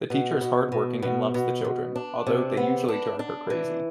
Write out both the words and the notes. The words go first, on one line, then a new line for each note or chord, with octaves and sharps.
The teacher is hard-working and loves the children, although they usually drive her crazy.
B2
B2
B2
B2
B2
B2
D4
C3
B3
D4
D4
E3